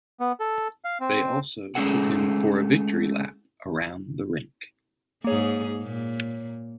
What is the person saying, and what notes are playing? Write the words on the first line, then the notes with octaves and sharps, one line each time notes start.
They also took him for a victory lap around the rink.
B3
A4
F5
C4
G#3 A3 C#4 G#4 A4 F#5
G#2 A#3 G#4 C#5
A#2